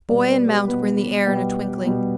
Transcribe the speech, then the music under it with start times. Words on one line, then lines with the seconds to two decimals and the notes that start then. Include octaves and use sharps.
Boy and mount were in the air in a twinkling.
0.09 B2 G3 B3 D5
0.29 B4
0.48 G4
0.68 B2 G3 B3 B4
1.26 B2 G3 B3 G5
1.86 B2 G3 B3